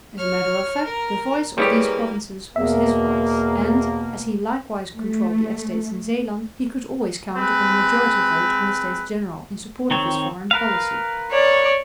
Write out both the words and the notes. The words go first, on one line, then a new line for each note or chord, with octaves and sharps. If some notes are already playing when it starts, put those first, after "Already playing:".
As a matter of fact, the voice of these provinces was his voice; and, as he likewise controlled the Estates in Zeeland, he could always count upon a majority vote in the States-General in support of his foreign policy.
C#5 F6
A#4
G3 A#3 E4 G4 G#4 B4 C#5
E2 B2 A#3 E5
A3
G#3 C4 B4
D#3 C4 C#5
A#4 B4 F5
C#5 D5